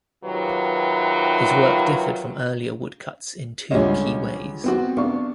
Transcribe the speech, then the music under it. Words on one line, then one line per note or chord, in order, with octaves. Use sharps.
His work differed from earlier woodcuts in two key ways.
G#2 C3 D#3 F#3 F4 B4
C#2 D3 G3 F4 C#5 D#5
B3 C4 F#4
C3 B3 D4 F5 C#6